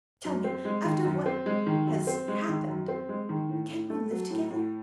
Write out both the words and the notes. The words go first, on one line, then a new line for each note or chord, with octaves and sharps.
Tell me, after what ... has happened, can we live together?
F#2
C4
G#3
D#3
F#2
C4
G#3
D#3
F#2
C4
G#3
D#3
F#2
C4
G#3
D#3
A2
A2
A3
F#3
A2
A2